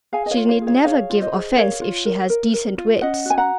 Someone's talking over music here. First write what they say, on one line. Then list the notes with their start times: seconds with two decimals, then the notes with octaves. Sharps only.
She need never give offence if she has decent wits.
0.13 G#4 F5 G#5
0.26 D#5
0.31 C#5 F5
0.37 F4
0.49 C#5 F5
0.61 G#4
0.67 C#5 F5
0.85 G#4 C#5 F5
1.10 F4
1.22 C5 D#5
1.33 G#4
1.57 A#4 C#5 F5
1.81 F4
2.06 A#4
2.30 A#4
2.53 A#4
2.78 F4
3.02 C#4 D#5 F#5
3.26 F#4 G#5
3.38 F#5 A#5